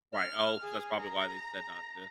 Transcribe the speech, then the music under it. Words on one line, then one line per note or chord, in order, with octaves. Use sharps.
Right oh, so that's probably why they said not to.
F6
G#4
A#5